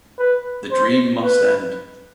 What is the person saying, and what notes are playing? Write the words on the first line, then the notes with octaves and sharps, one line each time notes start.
The dream must end.
B4
C5
B4